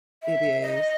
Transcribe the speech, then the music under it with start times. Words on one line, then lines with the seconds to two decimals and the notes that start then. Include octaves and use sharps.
It is.
0.23 E5
0.62 D#5